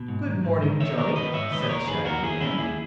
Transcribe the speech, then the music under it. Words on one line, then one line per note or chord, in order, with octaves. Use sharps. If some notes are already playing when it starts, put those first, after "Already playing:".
"Good morning, Johnny," said the shaggy man.
Already playing: B2
G#2
D#3
G#2
D#3
D#3 C#5 E5
D#3 A#4 C#5
D#3 B4 D#5
G#2 C#5 E5
D#3 B4 D#5
D#5
D#2 A#4 C#5
D#3 G#4 B4
D#2 F#4 A#4
D#3 E4 G#4
D#3 C#4 E4
D#2 E4 G#4